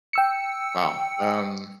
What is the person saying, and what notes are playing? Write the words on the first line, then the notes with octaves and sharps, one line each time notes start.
Wow, um
G5 E6 C#7